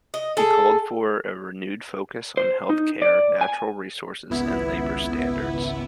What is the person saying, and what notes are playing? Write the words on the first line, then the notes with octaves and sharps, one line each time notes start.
He called for a renewed focus on health care, natural resources and labour standards.
D#5
G#4 A4
C5
D#4
D5
G#5
G#1 C#2 B3 E4